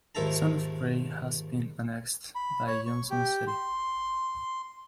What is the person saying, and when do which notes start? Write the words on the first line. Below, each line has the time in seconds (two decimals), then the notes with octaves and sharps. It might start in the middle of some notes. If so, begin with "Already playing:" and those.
Some of Gray has been annexed by Johnson City.
0.15 A#1 D#2 G#2 E5 A5 A#5
2.35 B5
2.67 C#5
2.86 C#6
3.10 G4
3.47 C6